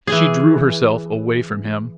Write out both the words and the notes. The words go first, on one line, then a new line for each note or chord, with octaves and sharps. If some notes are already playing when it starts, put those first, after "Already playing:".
She drew herself away from him.
E3 G#4